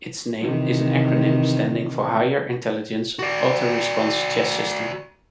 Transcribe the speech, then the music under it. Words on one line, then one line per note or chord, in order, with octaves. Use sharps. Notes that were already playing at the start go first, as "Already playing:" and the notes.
Its name is an acronym standing for "higher intelligence auto-response chess system".
C3 D#3 E3
F#4 D5